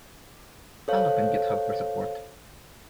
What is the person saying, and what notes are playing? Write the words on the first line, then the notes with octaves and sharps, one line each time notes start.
I'll look on Github for support.
A4 C5 C#5 F5